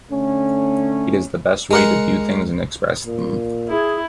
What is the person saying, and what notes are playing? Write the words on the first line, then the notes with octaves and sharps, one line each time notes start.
It is the best way to do things and express them.
D3 A3 C#4
G#3 A#4 F#5
A#2
E4 G#4